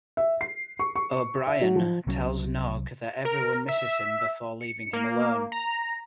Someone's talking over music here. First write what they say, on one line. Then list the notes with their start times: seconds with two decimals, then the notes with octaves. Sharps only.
O'Brien tells Nog that everyone misses him before leaving him alone.
0.17 E5
0.41 C7
0.79 C#6
0.96 C#6
1.47 E5
1.61 F#3
1.76 F3
2.07 C2 F#3 C#4
3.25 A#4
3.68 E5
4.61 C#7
4.93 A#3
5.52 A#5